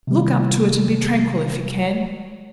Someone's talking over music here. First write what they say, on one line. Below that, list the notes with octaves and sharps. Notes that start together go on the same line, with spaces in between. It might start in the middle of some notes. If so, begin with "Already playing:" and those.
Look up to it, and be tranquil if you can.
C3 D#3 G3